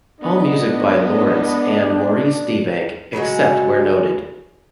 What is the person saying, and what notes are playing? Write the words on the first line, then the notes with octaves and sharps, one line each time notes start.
All music by Lawrence and Maurice Deebank, except where noted.
G#3 B3 D4 D#5
C#3 F#3 G#3 F#4